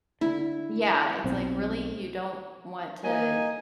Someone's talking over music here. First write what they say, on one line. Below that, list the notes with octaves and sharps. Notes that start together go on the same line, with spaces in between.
Yeah, it's like, "Really? You don't want to,
D3 E4
B1 C4
A#3 D#4 G#5